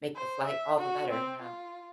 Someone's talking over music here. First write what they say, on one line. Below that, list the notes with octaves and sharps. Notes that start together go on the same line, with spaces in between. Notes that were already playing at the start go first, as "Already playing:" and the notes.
make the flight all the better, you know?
C5
E5
F#4
C4
F4